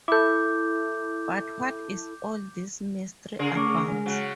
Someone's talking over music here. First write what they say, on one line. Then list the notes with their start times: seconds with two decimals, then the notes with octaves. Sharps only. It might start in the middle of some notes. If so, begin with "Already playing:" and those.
But what is all this mystery about?
0.08 E4 A4 D6 G6
3.39 C#3 G#4 A#4
3.55 A3 C#6 D6
3.88 G#3
4.06 C#3 F#3